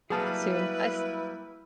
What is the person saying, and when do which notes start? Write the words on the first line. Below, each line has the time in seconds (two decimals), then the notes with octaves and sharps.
soon, I s
0.10 F#3 G3 A#3 E4 G#4 B4 A5